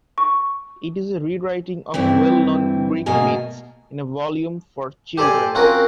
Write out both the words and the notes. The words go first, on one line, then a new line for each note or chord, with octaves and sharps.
It is a re-writing of well-known Greek myths in a volume for children.
C#6
G2 E3 C4 E4
B2 A3 A#3 D#5 F5 G#5
G4 A4 C5 D5 G#5
C4 C#4 F4 F#4 A#4